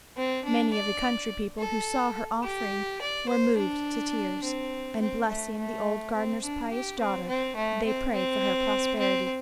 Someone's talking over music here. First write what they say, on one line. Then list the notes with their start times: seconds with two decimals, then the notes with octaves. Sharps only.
Many of the country people who saw her offering were moved to tears, and, blessing the old gardener's pious daughter, they prayed for her prosperity.
0.17 C4
0.45 D4
0.73 D5
1.59 A4
2.44 G4
3.02 D5
3.29 C5
3.58 D4
4.44 C4
5.00 C4
5.28 A3
5.58 A3
6.14 C4
6.44 D4
6.71 G4
7.00 C4
7.28 C4
7.56 A3
7.86 C4
8.13 C4
8.99 C4